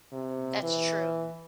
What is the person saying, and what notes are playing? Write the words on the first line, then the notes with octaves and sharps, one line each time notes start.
That's true,
C3
E3